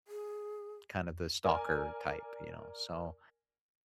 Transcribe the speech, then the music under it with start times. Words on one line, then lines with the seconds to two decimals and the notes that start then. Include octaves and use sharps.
kind of the stalker type, you know? So,
0.08 G#4
1.44 A#4 D5 G#5